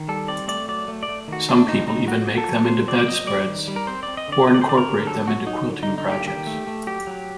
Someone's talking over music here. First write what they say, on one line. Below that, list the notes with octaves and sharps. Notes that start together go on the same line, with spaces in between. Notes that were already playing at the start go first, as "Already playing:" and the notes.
Some people even make them into bedspreads or incorporate them into quilting projects.
Already playing: D#3
G3 A4
C4 D5
A3 D5
F#3 D5
A3
D5
A3
D#3 F#4
A3 D4
C4 D#4
F#3 D#4
F#3 F#4
A#3
A4
F#3
F#3 C5
C4 D5
D5
F#3 D#5
G3 D5
D#3
G3
A#4
C4 C5
D5
C4
D#5
D3 D5
C4 D#5
D5
C5
D3 D5
A#4
D3
F#3 A4
F#3 F#4
F#3 D#4
D3
D3 D#4
D#4
A#3 G4
D#3 G4
A3
A3
F#3 G4
F#3